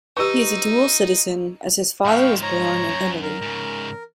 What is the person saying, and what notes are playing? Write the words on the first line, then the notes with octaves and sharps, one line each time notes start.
He is a dual citizen as his father was born in Italy.
D#4 G4 B4 C#6 E6
G#2 F3 F5 G5 C#6
C#5 A#5
F#2
A#4
G#2 C#3